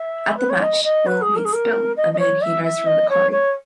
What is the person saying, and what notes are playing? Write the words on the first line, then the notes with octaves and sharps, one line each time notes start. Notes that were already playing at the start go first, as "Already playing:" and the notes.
At the match, Will meets Bill: a man he knows from the Corry.
Already playing: E5
B4
C#5
D#5
D#5
B4
G#4
A#4
G#4
A#4
D#5
D#5
C#5
E5
E5
D#5
C#5
C#5